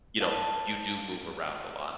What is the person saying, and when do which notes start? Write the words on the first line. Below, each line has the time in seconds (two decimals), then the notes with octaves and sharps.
you know, you do move around a lot.
0.20 F5 A5